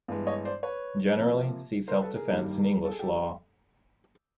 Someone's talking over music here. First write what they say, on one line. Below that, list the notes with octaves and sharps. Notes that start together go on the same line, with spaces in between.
Generally, see self-defence in English law.
G2 E3 G#3 B3
C#5 D#5
C5 D5
B4 C#5
C3 F3 A#3
A#4 C5
A4 B4
G#4 A#4
G2 D#3 G3 A#3 D#4
A4
G#4
G4 A4